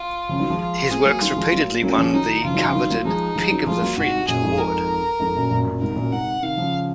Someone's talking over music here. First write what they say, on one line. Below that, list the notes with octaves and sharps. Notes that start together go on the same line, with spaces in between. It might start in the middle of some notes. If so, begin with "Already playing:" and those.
His works repeatedly won the coveted "Pick of the Fringe" award.
Already playing: F4
C#3 F3
D#3 F#3
F3 G#3
F4
G#3 C4 G#4
F#3 A#3
D#3 F#3 F4
F3 G#3
F#3 A#3
F#3 A#3 C#4
F3 G#3
D#3 F#3 D#4
C#3 F3 F4
D#3 F#3
C#3 F3
D#3 F#3
F#3 A#3
F3 G#3 D#4
F3 G#3
D#3 F#3
F3 G#3 F4
F#3 A#3
G#2 C3 F#4
F#2 A#2 G#4
F2 G#2
A#4
F2 G#2
F#2 A#2
F#2 A#2
F#2 A#2
G#2 C3 A#4
F#2 A#2
G#2 C3 F#5
C3 D#3 F5
C#3 F3